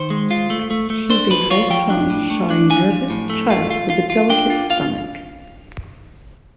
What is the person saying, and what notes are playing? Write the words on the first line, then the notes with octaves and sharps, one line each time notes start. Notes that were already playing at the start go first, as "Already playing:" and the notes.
She is a high-strung, shy, nervous child with a delicate stomach.
Already playing: D#3 C5
G#3
F4
A3
A3
A3
D4 C5
F3 B4
F4 C#5
F3 G5
D4
A2
A3
D4
F3 G#5
F3
A2
A3
F4
F4
F4
F4
D4 G5
F4
F4 F5